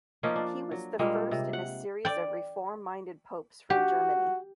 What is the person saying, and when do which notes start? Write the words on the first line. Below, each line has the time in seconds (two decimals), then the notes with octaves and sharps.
He was the first in a series of reform-minded popes from Germany.
0.23 F3 A#3 C#4 D#4
0.36 D4
0.71 F#3
0.99 A#2 G3 G#3 A#3
1.31 C3
1.53 F#5
2.05 D5 G5
3.70 F#4 G4